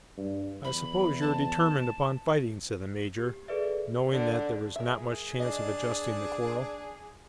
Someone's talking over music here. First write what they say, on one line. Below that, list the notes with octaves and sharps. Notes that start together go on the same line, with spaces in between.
"I suppose you are determined upon fighting?" said the major, knowing that, there was not much chance of adjusting the quarrel.
G2
E2 B5
A5
G4
G#4 A4 B4 D5 E5
D3
G#4 A#4 E5
D4 D#5